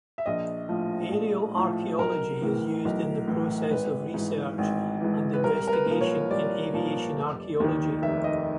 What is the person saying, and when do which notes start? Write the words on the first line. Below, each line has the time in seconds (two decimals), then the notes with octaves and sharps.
Aerial archaeology is used in the processes of research and investigation in aviation archaeology.
0.18 E5
0.26 A#1 D#5
0.69 A2 F3
1.12 A#1
1.56 A2 F3
1.98 B1 A#4
2.41 A2 E3
2.85 B1
3.28 A2 E3
3.71 G#1 B4
4.14 G#2 E3
4.58 G#1
5.01 G#2 E3
5.33 B4
5.44 C2 A#4
5.68 A#4
5.73 B4
5.86 A#2 F3
6.01 C#5
6.30 C2 D5
6.74 A#2 F3
7.16 F1
7.60 D#2 D#3
8.02 F1 E5
8.24 D#5